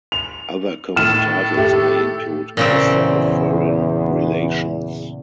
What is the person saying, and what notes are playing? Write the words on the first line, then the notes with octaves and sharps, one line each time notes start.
Other common titles may include "Minister of Foreign Relations".
F7
A2 D#3 A4 F6 E7
A3 G4
E2 A#2 C#3 C4